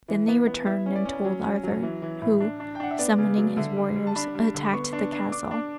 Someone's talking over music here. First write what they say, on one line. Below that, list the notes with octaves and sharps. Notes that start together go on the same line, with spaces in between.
Then they returned and told Arthur, who, summoning his warriors attacked the castle.
E3
B3
B3
E4 E5
C#4
D5
C#4
F#3
C#4
F#3
E3
E3
A2
D4
D4
G5
D4 F#5
E5
B3 D5
C#3
F#3
D3 E5
G3
G3
A5
D4 B5
G3
D3
D6
B3 C#6
D4
D4
D4 D6
D4